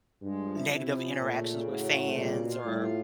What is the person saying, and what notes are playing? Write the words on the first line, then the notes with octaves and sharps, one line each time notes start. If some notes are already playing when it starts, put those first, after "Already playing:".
negative interactions with fans or,
G2 G#3
F3
E4
C3 E4
F3
C#4
A#2 A3
C#3
C#3
A2 F#3
A3
C#3
A#2 G3
B2
F4
A2 G3
F4